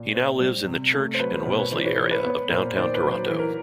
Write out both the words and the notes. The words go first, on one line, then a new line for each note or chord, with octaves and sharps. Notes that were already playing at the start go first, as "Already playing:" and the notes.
He now lives in the Church and Wellesley area of downtown Toronto.
Already playing: A#2
C4
G3
C3
A3
C5
F#3 B4 C#5
A#4 C5
B2 A#4 C5
B4 C#5
E3 C5 D5
B4 C#5
E3 C5 D5
B4 C#5
B3 B4 C#5
A#2 A#4 C5
D#3 C5 D5
B4 C#5
F#3
C5
E3 B4
A#4